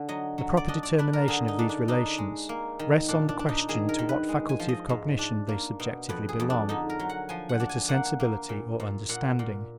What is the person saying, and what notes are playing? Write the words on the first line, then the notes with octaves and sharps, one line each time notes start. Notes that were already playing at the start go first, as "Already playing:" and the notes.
The proper determination of these relations rests on the question, to what faculty of cognition they subjectively belong, whether to sensibility or understanding?
Already playing: D3
F#3 D#5
F#3
D5
D4 D#5
D5
D4 B4
A#4
D3 G#4
D#4
D4
D4
D4 D#4
G#3
A#3
D#3
A#2 D4
D4
D4
D#4
D#3 G#4
A#4
D#3
B4
G#3
G#5
F3
D#5
G#2
D4
A#3
B2
F2 B4
G#4
F2
D4
D3 D#4
A#4
F#3
F#5
F3 G#5
F#5
D4
G#5
A#3 F#5
A#3
A#2
A#2
A#2 F#5
A#2